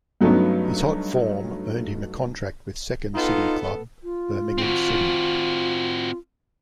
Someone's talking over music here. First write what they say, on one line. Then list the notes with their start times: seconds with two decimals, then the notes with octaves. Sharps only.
His hot form earned him a contract with second-city club Birmingham City.
0.21 G2 F#3 A3 B3 C#4 D#4
3.15 B3 D#4 F4 A4
4.04 F4
4.58 C4 F#4